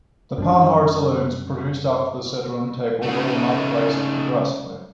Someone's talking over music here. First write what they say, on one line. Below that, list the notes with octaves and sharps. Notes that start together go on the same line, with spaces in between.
The Panhard saloons produced after the Citroen take-over were not priced aggressively.
F#2 G3 D4
C#3 A3 D#4